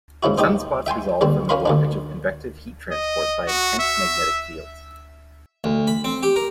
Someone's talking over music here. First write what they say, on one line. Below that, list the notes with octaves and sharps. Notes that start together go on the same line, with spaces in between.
Sunspots result from the blockage of convective heat transport by intense magnetic fields.
G#2 C#3 E4 F#4
D#4 G4 G#4 C5
E5 G5 G#5 C6
D#2 D3 G3 C4
C#4 F#4 A#4 F5 B5 C6
D2 D3 D4
D#5
F#4
E5
D2
B5
C4
G4
A#4